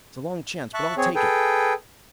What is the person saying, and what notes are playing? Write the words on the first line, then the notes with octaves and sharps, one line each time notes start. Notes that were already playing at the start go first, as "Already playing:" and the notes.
"It's a long chance, but I'll take it."
E5 A5 C#6 F#6
C4 G#4 C#5
G#4 A4 B4 G5